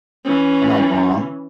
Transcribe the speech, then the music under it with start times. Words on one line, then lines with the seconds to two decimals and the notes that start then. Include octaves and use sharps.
I'm, like, "Mom,
0.25 E3 C#4